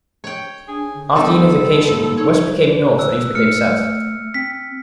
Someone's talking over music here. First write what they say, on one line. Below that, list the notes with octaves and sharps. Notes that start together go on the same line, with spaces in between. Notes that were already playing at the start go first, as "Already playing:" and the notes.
After unification, west became north and east became south.
C#5 G5
D4 G#4
D3
D3 D#3 G3 B3 A4
A#3
D#4 C#5
E6 F#6
A3 F6 C#7
C4 B6